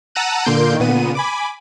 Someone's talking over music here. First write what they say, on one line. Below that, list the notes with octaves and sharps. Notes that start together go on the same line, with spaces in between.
Oh, yes.
F#5 A5 A#5 E6 F#6 D#7
A#2 D3 A#3 C6 G6 D7
A#2 B3 D#7
G#5 B5 D6